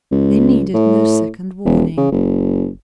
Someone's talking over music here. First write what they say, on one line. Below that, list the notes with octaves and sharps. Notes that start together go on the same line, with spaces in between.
They needed no second warning.
C#2
A2
E1
C#3
F#1